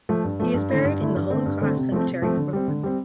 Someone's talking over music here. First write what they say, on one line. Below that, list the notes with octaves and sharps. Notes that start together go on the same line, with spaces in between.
He is buried in the Holy Cross Cemetery, Brooklyn.
F3 A3
G2
F3 A3
G2
D3 A3 E4
G2
D3 A3 E4
G2
D3 A3 C4
G2
D3 A3 C4
C3
F3 A3 C4
C3
F3 A3 C4
D3
G3 C4
D3
G3 C4